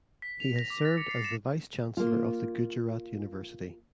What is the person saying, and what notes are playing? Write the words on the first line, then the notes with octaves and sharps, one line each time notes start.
He has served as the vice chancellor of the Gujarat University.
B6
F7
A#6
D6
A6
C#7
C7
E7
A#3 F4